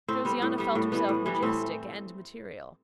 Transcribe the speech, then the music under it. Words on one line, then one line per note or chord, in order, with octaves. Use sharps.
Josiana felt herself majestic and material.
A2 C4
G3 B3
A2
G3 B3
A2
E3 G3 B3
A2
E3 G3 B3
A2 C4